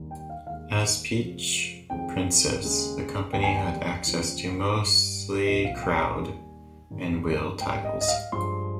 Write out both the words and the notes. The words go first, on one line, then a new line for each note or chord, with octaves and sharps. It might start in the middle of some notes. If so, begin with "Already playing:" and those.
As Peach Princess, the company had access to mostly Crowd and Will titles.
Already playing: D#2 D#3 G3
G5
F5
D#2 D#3 G#3 F5
F2 C3 F3 G#3
F2 D#3 G#3 G5
D#2 C#3 G#3
D#2 D#3 G3 G5
G#5
G5
D#2 C#3 F3
G2 G3
C2 A#2 F3 D#5
F5
F5
G5
A#5
G#5
D#2 D#3 G3
G2 D#3 G3
G#2 G3 G5
D#5
D#5
F5
G2 F3 G#3 C6